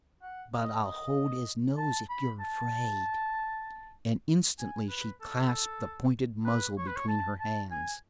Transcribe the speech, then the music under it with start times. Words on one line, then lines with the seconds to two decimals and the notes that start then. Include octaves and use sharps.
"But I'll hold his nose if you're afraid." And instantly she clasped the pointed muzzle between her hands.
0.22 F#5
0.54 D#5
0.84 D#5
1.78 A5
2.10 B5
2.40 A5
4.59 G#5
4.89 B4
5.21 A4
6.46 B4
6.78 C#5
6.88 B4
6.97 C#5
7.09 A5
7.40 A5
7.71 G#5